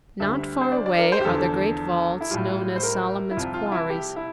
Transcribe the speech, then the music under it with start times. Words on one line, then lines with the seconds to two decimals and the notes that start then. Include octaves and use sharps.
Not far away are the great vaults known as Solomon's Quarries.
0.20 D2 D3 G3 E5
0.61 C5
0.72 D5
0.86 D5
0.99 A#4
1.12 C5
1.21 G4
1.25 E2 D3 F3 A4
2.21 E4
2.31 A2 G3 F4
2.76 C5
2.83 A#4
3.31 E4
3.37 C2 C3 F3 F4
3.54 F4
3.66 F4
3.72 E4
3.90 G4
4.16 E4